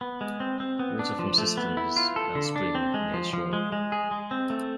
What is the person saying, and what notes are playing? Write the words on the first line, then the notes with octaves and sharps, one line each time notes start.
Water from cisterns and spring near shore.
B3
G#3
C4
C4
B3
D4
F3
A3
B3
E4
F4
A4
D3
D4
C4
G#3
F3
F3
G#3
G#3
G#4
G#3
C4
A3